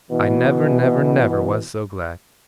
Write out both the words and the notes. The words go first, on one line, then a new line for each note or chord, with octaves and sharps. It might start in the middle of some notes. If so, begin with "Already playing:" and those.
'I never, never, never was so glad!
B2 E3